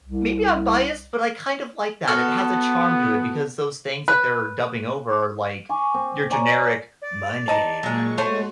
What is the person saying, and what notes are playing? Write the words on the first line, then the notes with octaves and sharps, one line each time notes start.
maybe I'm biased, but I kind of like that. It has a charm to it because those things that they're dubbing over are like your generic, "My name
C2
B3 F#4 A4 F6
B4
G#5 C#6 D6
C4
C#5 D5 G#5 A#5
D5
D#4 D#5 A5
A#2 F#3 G#3 C#6
G#3 A3 F#4 C5 C#5